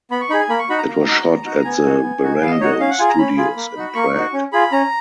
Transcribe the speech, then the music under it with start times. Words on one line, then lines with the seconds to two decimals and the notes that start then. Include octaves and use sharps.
It was shot at the Barrandov Studios in Prague.
0.11 B3 B5
0.21 C#6
0.30 D#4 G#4 B5
0.40 G#5
0.49 A#3 B5
0.59 C#6
0.69 D#4 F#4 B5
0.78 A#5
0.87 A#3
1.07 D#4 F#4
1.26 B3
1.45 D#4 F#4
1.65 B3 G#5
1.84 D#4 F#4
2.03 B3
2.23 D#4 F#4
2.41 B3 F5
2.51 D#5
2.61 D#4 F#4 C#5
2.71 D#5
2.80 C#4 F5
2.90 F#5
2.99 F4 G#4 G#5
3.09 A#5
3.18 C#4 B5
3.37 F4 G#4
3.56 A#3
3.76 D#4 F#4
3.95 A#3 C#6
4.14 D#4 F#4
4.33 C#4
4.52 F4 G#4 B5
4.72 C#4 A#5